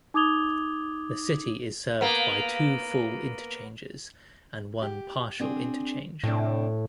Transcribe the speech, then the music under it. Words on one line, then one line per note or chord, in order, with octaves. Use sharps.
The city is served by two full interchanges and one partial interchange.
D#4 D6 D#6 G#6 F7 G7
A#3 B3
G4
C4 D4 G#4
A2 C3 D4